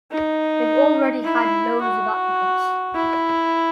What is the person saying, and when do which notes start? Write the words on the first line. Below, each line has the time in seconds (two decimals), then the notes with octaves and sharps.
They've already had loads of applicants.
0.11 D#4
1.25 E4
1.81 F#4
2.95 E4